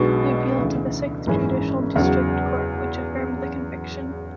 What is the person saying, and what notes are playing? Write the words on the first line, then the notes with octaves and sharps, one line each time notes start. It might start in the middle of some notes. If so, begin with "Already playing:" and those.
He appealed to the Sixth Judicial District Court, which affirmed the conviction.
Already playing: B1 B2 G#3 D4 F#4
D2 C#3 E3
G#1 F#2 E3 G#3 C#4
E2 C#3 F#3